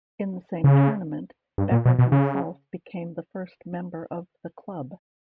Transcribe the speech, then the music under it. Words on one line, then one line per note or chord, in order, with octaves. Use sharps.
In the same tournament, Becker himself became the first member of the "club".
C#3
G2
A#2
B2
B2
C#3